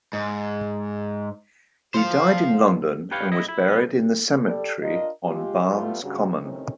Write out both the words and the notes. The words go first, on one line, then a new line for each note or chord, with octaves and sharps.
He died in London, and was buried in the cemetery on Barnes Common.
G#2
C5 F5
G4 B4 C#5 F5 G5
E4 D#5
E4
C2 B3
G3 A4 D5
D4 F4 A#4 D#5
G#3 F4 G4
G3 A3 B3 F4
G2 C#3 F#3
A2 C3 D#3 C4 C#4 D#4